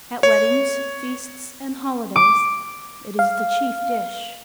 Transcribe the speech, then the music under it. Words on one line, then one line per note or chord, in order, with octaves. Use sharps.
At weddings, feasts, and holidays it is the chief dish.
C#5
D6
F5